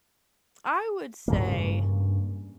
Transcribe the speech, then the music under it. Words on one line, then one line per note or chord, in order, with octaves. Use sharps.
I would say,
G2 C#3 A#3